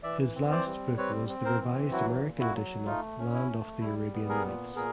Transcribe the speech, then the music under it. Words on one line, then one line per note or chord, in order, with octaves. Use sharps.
His last book was the revised American edition of "Land of the Arabian Nights".
E3 D5 E5
C4
C5 D5
G3
C4 B4 C#5
C4
A#4 C5
E3
F#3 E4 F#4
A#2
E4 F#4
F#3
A3 D#4 F4
C#4
E4
A3
G3 E4
B3
G#4 A#4
A#2
A#2 G#4 A#4